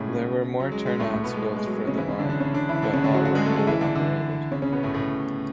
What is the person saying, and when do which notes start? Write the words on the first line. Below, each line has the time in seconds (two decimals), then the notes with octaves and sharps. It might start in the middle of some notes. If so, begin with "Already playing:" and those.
There were more turnouts built for the line but all were hand operated.
Already playing: A2 C#3 G#3 A3 C#4
0.60 F#3
0.72 G#3
0.86 G#3
0.99 A2 A3
1.13 A2 A3
1.24 B2 B3
1.34 G#3
1.46 G#3
1.56 G#3
1.66 F#3
1.77 G#3
1.87 C#3 C#4
1.98 E3 E4
2.08 C#3 C#4
2.19 D3 D4
2.29 D3 D4
2.40 C#3 C#4
2.54 D3 D4
2.69 E3 E4
2.82 D3 D4
2.93 C#3 C#4
3.04 D3 D4
3.14 F#3 F#4
3.25 F#3 F#4
3.35 G#3 G#4
3.46 A3 A4
3.56 G#3 G#4
3.67 E3 E4
3.81 D3 D4
3.95 D3 D4
4.52 C#3 C#4
4.62 C#3 C#4
4.72 B2 B3
4.83 A2 A3
4.94 A2 A3